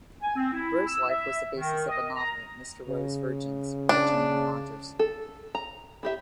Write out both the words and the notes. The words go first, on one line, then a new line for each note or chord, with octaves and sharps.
Wroe's life was the basis of a novel, "Mr. Wroe's Virgins" by Jane Rogers.
G#5
C4
E4
E6
E5
D#3
D#5
A#5
C#3
D4
A4
A#5
E4 G4 E5